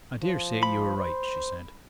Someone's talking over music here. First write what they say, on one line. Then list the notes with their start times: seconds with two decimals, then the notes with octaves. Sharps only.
"I daresay you are right," she said.
0.23 F3
0.63 B5
0.97 C5